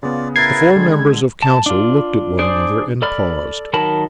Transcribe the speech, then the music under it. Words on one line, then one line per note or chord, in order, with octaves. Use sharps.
The four members of Council looked at one another, and paused.
C#3 B3 F4 D5
E4 A#4 B4 G#6 A6 C7
D3 G3 G#3
A5
D4 F4
D4 G#4 C5 D5
A4 D5 B5 F6
D#3 F#3 A#4 A5 B5